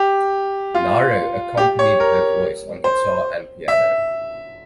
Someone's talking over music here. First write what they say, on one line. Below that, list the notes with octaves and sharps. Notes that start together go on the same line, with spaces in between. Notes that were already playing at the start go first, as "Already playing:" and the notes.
Nyro accompanied her voice on guitar and piano.
Already playing: G4
F4
G4
C#5
A#4
C5
E5